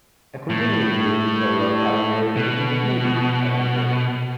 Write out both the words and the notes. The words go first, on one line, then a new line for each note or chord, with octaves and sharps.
A continuing lunisolar calendar is in the Hebrew calendar.
A2
B2